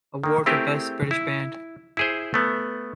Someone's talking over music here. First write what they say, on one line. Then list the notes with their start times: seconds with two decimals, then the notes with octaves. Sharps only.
Award for "Best British Band".
0.24 D#3 A#3
0.46 A3 C4 E4 G4 G#4 A#4
1.11 E4
1.97 E4 G#4 C5
2.34 A3 B3